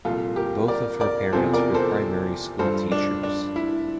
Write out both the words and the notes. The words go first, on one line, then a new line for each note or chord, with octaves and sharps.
Both of her parents were primary school teachers.
C2 A#2 F3 F4 A4
G4 A#4
A#4 D5
A#4 D5
E2 C3 F3 A4 C5
A#4 D5
A4 C5
G2 F3 A4 C5
D4
D4
E4